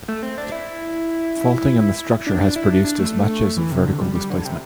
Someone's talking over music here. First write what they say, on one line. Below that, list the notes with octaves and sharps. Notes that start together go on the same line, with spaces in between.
Faulting in the structure has produced as much as of vertical displacement.
A3
C4
D4
E4
D4
D4
E4
D4
D4
A3
E3
C3
D3
G3
G3
D3
C3